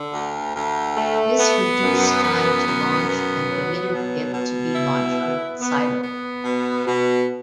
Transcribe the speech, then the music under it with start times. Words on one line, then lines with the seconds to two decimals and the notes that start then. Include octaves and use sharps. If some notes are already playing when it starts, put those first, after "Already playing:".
This reduced time to launch and permitted it to be launched from its silo.
Already playing: D3
0.12 D2
0.55 D2
0.97 A3
1.38 B3
1.81 F#2
2.23 B3
2.65 F#2
3.07 B3
3.49 F#3
3.91 B2
4.33 B2
4.75 E4
5.17 B3
5.60 B3
6.02 B3
6.44 B2
6.86 B2